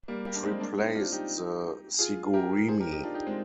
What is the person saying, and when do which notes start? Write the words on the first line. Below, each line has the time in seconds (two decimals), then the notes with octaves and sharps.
It replaced the Sigurimi.
0.08 G3 A#3
0.26 G3 A#3
0.35 D4
0.43 G#3 C4
0.60 A#3 D4
0.78 C4 D#4
0.95 D4 F4
1.12 D#4 G4
1.99 F4 G#4
2.33 G4 A#4
2.69 G#4 C5
2.80 G4 A#4
2.92 D#4 G4
3.03 D4 F4
3.14 D#4 G4
3.27 G#3 C4